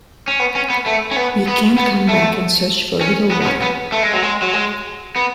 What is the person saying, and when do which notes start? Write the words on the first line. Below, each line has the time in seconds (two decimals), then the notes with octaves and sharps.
We can't come back and search for a little while.
0.28 C#4
0.39 B3
0.55 C#4
0.70 B3
0.86 A3
1.11 C#4
1.16 B3
1.48 B3
1.78 B3
2.09 A3
3.01 C#4
3.31 B3
3.42 B3
3.46 C#4
3.62 B3
3.92 A3
4.03 G#3
4.13 F#3
4.23 G#3
4.42 F#3
4.54 G#3
5.16 B3